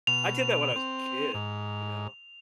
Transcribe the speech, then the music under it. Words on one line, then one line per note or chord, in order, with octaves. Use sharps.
I did that when I was a kid, you know?
B2 F7
C4
G#2